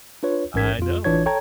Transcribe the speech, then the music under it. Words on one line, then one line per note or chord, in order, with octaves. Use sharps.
I know.
D4 F4 B4 C#5
A1 G#2 C#4 A#4 G#6 B6
F2 F4
A1 E3 D4 F4 C#5 G#6
A4 C#5 G5 A5 A#5 G#6